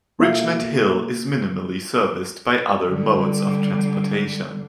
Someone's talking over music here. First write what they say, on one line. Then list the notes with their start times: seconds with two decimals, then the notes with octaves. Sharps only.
Richmond Hill is minimally serviced by other modes of transportation.
0.19 B2 A3 A#3
2.88 D3 G3